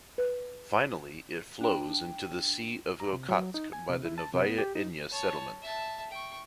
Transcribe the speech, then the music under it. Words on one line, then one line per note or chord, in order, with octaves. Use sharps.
Finally it flows into the Sea of Okhotsk by the Novaya Inya settlement.
B4
D4 G5
A#5
C3
F#3
D#4
G#5
C3
E4
A5
C3
B3
G4
D#4
C#5 A5
E5 A5
G5 C#6